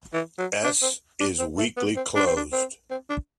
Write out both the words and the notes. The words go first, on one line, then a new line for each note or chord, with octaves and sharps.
"S"' is "weakly closed".
E3
F#3
D4
C4
D4
C4
A3
B3
C4
D4
C4
D4
C4
C4
D4